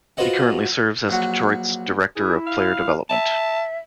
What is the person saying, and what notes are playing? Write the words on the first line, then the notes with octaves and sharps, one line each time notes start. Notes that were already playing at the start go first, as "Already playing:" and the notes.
He currently serves as Detroit's Director of Player Development.
F4 F#4 B4 C5 D#5 F#5
A#1 F#3 F#4
E4 G#4
F5
E5 A5